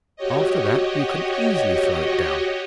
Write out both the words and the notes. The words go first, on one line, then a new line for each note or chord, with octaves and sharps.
After that you can easily throw it down.'
F#4 G4 C#5 D#5